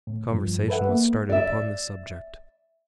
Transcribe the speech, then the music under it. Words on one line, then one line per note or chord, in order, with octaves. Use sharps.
Conversation was started upon this subject.
A2
G2 F3
A4 B4 E5 F#5
A#3
D5 E5